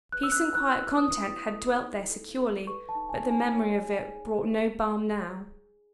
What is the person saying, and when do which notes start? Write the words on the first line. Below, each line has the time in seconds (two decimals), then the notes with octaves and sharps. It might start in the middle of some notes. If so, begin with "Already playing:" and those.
Peace and quiet content had dwelt there securely, but the memory of it brought no balm now.
0.12 B4 F#6
0.23 E6
0.32 F#6
0.41 E4
0.55 F#6
0.69 B4
0.97 E4 D#6
1.26 E4
1.55 A4
1.83 D#4
2.10 A4
2.39 A4
2.67 B4 C#6
2.89 A5
2.95 D#4
3.09 G#5
3.24 D#4
3.31 G#5
3.52 C#5
3.80 G#4
4.08 G#4
4.37 G#4